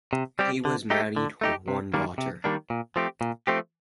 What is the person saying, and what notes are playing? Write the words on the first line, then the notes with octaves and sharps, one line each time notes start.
He was married with one daughter.
C3
G3 C4 G4
D3
A3 D#4 G4
D3
A3 D#4 G4
C3
D#3 G3 A#3 D4
C3
D#3 G3 A#3 D4
A#2
F3 A3 C4 G4
A#2
F3 A3 C4 G4